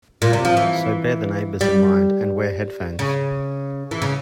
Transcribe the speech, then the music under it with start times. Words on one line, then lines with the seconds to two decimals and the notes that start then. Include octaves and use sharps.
So bear the neighbours in mind and wear headphones.
0.22 A#2
0.33 C3
0.45 F3
0.57 E3
1.61 G3
2.99 C#3
3.91 E3
4.02 C#3